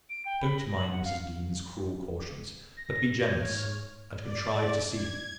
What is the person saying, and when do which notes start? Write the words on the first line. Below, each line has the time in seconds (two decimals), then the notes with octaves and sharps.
Don't mind Mrs. Dean's cruel cautions; but be generous, and contrive to see him.
0.10 D7
0.26 G5
0.41 B5
0.59 A#6
0.77 F#7
0.92 F#5
1.04 F5
2.77 A#6
3.27 G#2 C#5 F6 G#6
4.22 D5
4.92 G#6